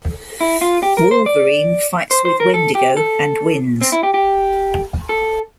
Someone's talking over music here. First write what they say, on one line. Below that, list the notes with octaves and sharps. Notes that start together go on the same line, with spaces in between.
Wolverine fights with Wendigo and wins.
E4
F4
G4
A#4
C5
D5
C5
C5
A#4
A4
G4
A4
C4
E4
G4
G4
A4